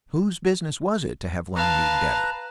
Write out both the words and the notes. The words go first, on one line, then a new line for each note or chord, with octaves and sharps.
Whose business was it to have learned me better?
B4 F5 A5 A#5